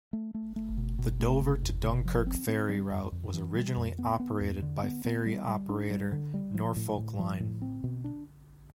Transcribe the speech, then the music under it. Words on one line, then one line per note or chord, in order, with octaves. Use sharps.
The Dover to Dunkirk ferry route was originally operated by ferry operator Norfolkline.
A3
A3
A3
B2
B2
A3
C3
E2
C3
F3
C4
C4
G3
F2
F2
E3
G3
F2
B3
B3
E2
D3
B3
B3
G3
G3
D4
G3
D3
G3
F3
A2
A2
F3
A2
C4
B2
D4